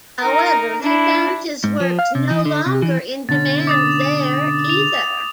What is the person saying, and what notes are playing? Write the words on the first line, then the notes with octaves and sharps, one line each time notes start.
However, he found his works no longer in demand there either.
D#4 A#4
D4 E4
G#2
F3
F5
C3
E3
D3
C3
E3
B2 D3 C#4 A6
D6 D#6 A6
F7